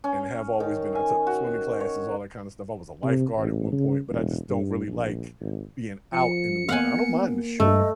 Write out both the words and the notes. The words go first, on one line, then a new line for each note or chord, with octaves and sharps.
and have always been. I took swimming classes, all that kinda stuff. I was a lifeguard at one point, but I just don't really like being out in the water. I don't mind the shore,
C#4
D#3
G#5
F#4
C#5
C3
A1
C#3
E1
G2
A#1
G#1
F3 C#7
A#3 B3 F5 F#5 G#5
G2 A3 D#5